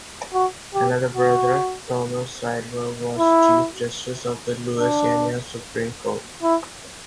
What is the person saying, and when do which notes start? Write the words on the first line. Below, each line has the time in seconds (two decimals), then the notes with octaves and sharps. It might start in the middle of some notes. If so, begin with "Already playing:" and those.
Another brother, Thomas Slidell, was chief justice of the Louisiana Supreme Court.
0.34 F#4
0.75 G4
1.15 F#4
3.18 E4
4.80 D4
6.43 E4